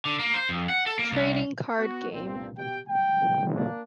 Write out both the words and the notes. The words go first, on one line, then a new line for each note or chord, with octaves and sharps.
Trading Card Game.
D3
A#3
C5
F2
F#5
A4
A#3
C2
B3 F#4
C2 G2 A#2 B3 C4
B2 G4 G5
G5
A#3 D4